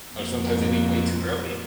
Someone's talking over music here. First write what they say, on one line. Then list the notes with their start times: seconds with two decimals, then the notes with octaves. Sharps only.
or sometimes they leave way too early.
0.14 F2 A#3